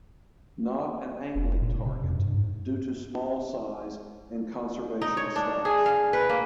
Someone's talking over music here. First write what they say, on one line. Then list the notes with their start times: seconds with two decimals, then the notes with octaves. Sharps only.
Not an angling target due to small size and conservation status.
1.35 F1
1.61 A#2
1.85 C3
2.03 F2
2.16 G2
2.34 G#2
5.02 D#4
5.17 C#5
5.36 D4
5.65 G#4
5.86 F5
6.13 B4
6.30 A#3